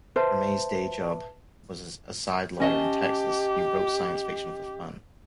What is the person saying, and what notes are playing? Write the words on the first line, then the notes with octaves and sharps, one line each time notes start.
Ramey's "day-job" was as a lawyer in Texas; he wrote science fiction for fun.
B4 C5 E5 A5
C#4 G4 D#5 A5